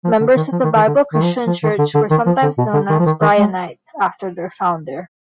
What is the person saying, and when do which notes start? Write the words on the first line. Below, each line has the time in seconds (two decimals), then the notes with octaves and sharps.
Members of the Bible Christian Church were sometimes known as Bryanites after their founder.
0.05 F3
0.21 D3
0.37 D#3
0.52 F3
0.64 D#3
0.76 D#3
0.87 D3
1.14 D#3
1.23 F3
1.47 F3
1.63 D#3
1.79 D3
1.95 D3
2.11 D#3
2.26 F3
2.43 D3
2.58 B2
2.74 D3
2.90 D#3
2.99 F3
3.06 D#3
3.22 D#3
3.38 G#3